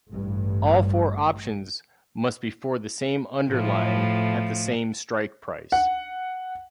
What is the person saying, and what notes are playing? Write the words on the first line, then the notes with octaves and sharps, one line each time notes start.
All four options must be for the same underlying at the same strike price.
A1 G2
A2 F3 A3
F#5